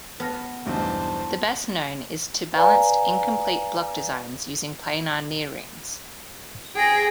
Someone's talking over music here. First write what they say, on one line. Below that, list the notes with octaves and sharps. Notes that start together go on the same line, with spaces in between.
The best known is to balanced incomplete block designs using planar near-rings.
B3 A5 F6 A#6
B1 E2 G2 C5 A5
B4 D5 F5 G#5 A#5
G#4 G5 A#6